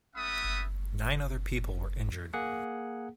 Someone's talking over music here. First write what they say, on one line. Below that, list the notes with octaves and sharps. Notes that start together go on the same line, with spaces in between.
Nine other people were injured.
A3 C#4 E5 F#5 B5 D#6
A#3 G#4 F#5